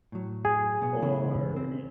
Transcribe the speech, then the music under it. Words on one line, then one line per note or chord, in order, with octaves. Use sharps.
Or y
A2 F#3
G#4
B2 B3
C#3 E3 B3
C4